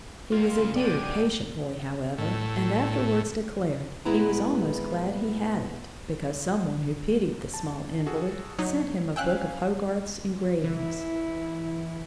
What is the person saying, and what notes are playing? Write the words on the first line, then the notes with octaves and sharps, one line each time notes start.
He was a dear, patient boy, however, and afterwards declared he was almost glad he had it because some one who pitied the small invalid sent him a book of Hogarth's engravings.
A#3 D#4 F4
C#3
B2 G#3 D5 G5 D#7
A2
A#2 G#3 B3 E4 B4 A#5
A5
F#4 G#4 A4
F#3 D#4 C#5
C#4 F5 G5 G#5 E6 F#6
E3 E4